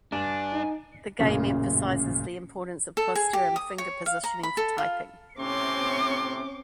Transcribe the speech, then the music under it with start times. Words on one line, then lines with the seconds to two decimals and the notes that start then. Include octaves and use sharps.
The game emphasizes the importance of posture and finger positioning for typing.
0.12 G2 D4 G#5
0.52 D#4
1.19 A1 F#2 A#2 C#3
2.97 A4
3.15 G#4
3.33 G4
3.56 D#6
3.78 C#5
4.06 F5
4.23 A#5
4.43 B5
4.57 A4
4.78 F4
5.40 A2 C3 C4 C#4 C6 D6